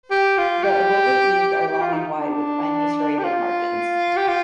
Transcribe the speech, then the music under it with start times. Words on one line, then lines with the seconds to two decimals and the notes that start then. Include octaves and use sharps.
The obovate leaves are long and wide with finely serrated margins.
0.11 G4
0.38 F4
0.63 G4
1.67 G4
1.81 F4
1.94 D#4
2.19 D4
3.19 G4
3.24 F4
4.16 G4
4.28 F4